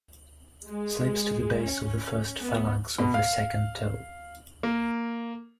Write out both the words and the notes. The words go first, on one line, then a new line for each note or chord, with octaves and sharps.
Slips to the base of the first phalanx of the second toe.
G#3
C#4
B3
B2
F5
A#3